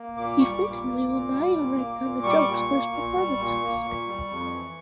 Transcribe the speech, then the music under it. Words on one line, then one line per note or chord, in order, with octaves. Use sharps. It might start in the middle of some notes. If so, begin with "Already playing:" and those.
He frequently will not even write down the jokes for his performances.
Already playing: A#3
A#2 D6
G3 C#6
C#6
A#2 D6
A#3
A#2
G3
A#2
A#3
A#2
G3 C#6
D6
C#6
A#2
A#3
A#2
G3
A#2
A#3
A#2
G3
F2
E3